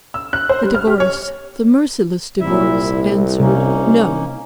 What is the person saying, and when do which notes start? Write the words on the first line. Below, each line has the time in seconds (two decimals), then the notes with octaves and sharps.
The Divorce, the merciless Divorce, answered:--No!
0.14 E6
0.33 F#6
0.49 C5
0.63 G3
0.74 F6
0.87 G4
1.00 C#5
2.41 C2 A#2 E4 E5
3.40 C3 A#3 C#4 D#4